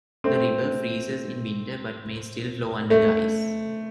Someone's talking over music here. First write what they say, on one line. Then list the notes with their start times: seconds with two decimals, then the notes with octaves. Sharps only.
The river freezes in winter but may still flow under the ice.
0.24 A3 C4
2.90 A3